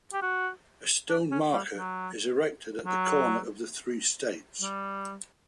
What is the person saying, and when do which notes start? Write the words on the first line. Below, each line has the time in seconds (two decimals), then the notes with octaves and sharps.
A stone marker is erected at the corner of the three states.
0.13 G4
0.22 F#4
1.09 D4
1.31 C#4
1.54 G3
1.76 F#3
2.86 F#3
4.62 G3